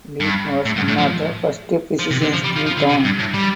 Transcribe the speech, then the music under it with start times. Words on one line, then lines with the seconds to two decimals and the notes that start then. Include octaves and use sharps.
Leith was one of the first physicians in town.
0.20 G2
0.65 A2
0.76 G2
0.88 A2
0.98 F3
1.99 F3
2.11 C3
2.22 D3
2.33 F3
2.44 G3
2.56 F3
2.66 F3
2.77 D3
2.89 C3
3.04 G2
3.19 A2
3.34 G3